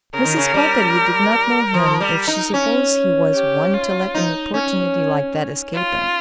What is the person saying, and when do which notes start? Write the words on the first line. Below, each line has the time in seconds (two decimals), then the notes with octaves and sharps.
Mrs. Pontellier did not know him if she supposed he was one to let an opportunity like that escape him.
0.14 C#3 A#4
0.24 D#3
0.37 C#3
0.54 G3
1.74 F3
2.00 G3
2.28 D#4
2.54 C#4
3.34 G4
3.74 F4
4.15 D#4
4.54 C#4
5.74 F4